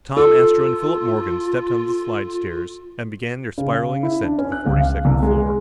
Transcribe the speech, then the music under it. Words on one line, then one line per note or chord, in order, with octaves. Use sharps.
Tom, Astro, and Philip Morgan stepped on the slidestairs and began their spiraling ascent to the forty-second floor.
F4 A4
C#3
E4
D4
C#4
F#6
C#2
F5
C2
G#3